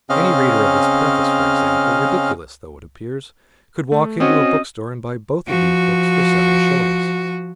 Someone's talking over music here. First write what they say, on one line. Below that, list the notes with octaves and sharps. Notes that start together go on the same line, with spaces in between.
Any reader of this preface, for example, ridiculous though it appears, could walk into a bookstore and buy both of these books for seven shillings.
C#3 C4 C#4 D#5 F5 F6
A3
C4 C#4 F#4 D#5
F3 F#4